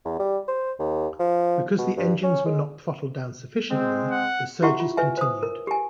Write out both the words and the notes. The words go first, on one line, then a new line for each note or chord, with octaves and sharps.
Because the engines were not throttled down sufficiently, the surges continued.
E2
G3
C5
D#2
F3
B2
G2
C#4
G#3
G#3 C4
F#5
E4 F#4 G4 E5 F#5 C#6
F4
B4 E5 G#5
C5 D#6
A#4
G4 G#5